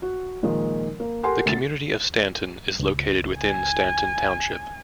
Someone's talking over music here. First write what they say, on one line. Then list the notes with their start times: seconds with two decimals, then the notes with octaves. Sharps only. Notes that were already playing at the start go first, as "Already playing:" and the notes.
The community of Stanton is located within Stanton Township.
0.02 F#4
0.43 A#2 D#3 F3 G#3
1.00 A#3
1.23 G4 A4 A#4 F#5 G#5 C6
1.46 D2 A6
2.80 C#2
3.40 G#5